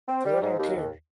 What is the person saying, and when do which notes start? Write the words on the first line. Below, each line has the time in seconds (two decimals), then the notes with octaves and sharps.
'Cause I don't care."
0.08 C4
0.25 G3
0.42 G#2
0.59 D#2
0.76 D#2